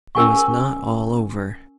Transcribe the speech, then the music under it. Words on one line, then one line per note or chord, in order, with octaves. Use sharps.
It was not all over.
C#4 A#4 G#5 C#6